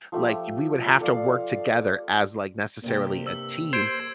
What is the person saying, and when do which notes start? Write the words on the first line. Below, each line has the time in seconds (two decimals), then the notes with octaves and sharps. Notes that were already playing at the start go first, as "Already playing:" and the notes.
like, we would have to work together as, like, necessarily a team
0.12 F3 A3 G4
1.01 A4 D5 F5
2.84 G2 C3 A#3 G4
3.27 E6
3.73 C5 G#6 D7